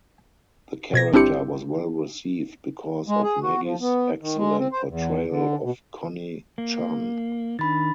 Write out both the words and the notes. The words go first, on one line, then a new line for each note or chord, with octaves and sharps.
The character was well received because of Maggie's excellent portrayal of Connie Chan.
B2 G#6 A#6
G1 C4 D4 E4 G4 C#7
G#3
G#4
F#4
F3
B3
D#3
G#3
C4
C5
E2
D3
B2
A#3
D#3 D4 B5 A6